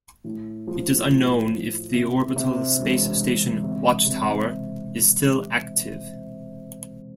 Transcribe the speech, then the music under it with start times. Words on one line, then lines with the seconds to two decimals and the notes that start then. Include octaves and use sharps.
It is unknown if the orbital space station Watchtower is still active.
0.24 A2
0.67 F3
1.10 A2
1.52 A2
1.94 C3
2.36 C3
2.79 E1
3.21 E1
3.63 C3
4.06 C3